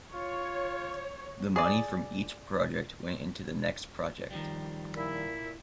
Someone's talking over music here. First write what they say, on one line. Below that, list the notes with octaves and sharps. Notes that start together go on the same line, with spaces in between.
The money from each project went into the next project.
F4 C#5
G#4 D5
D#3 F3 G3
A#2 E4